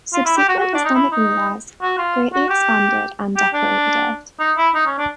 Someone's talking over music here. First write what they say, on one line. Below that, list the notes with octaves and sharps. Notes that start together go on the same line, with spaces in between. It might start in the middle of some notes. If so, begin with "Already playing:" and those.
Subsequent Islamic rulers greatly expanded and decorated it.
F4
E4
G4
F#4
F#4
D4
D#4
E4
D#4
F#4
F4
F#4
G4
G4
D4
D#4
E4
D#4
C#4
D4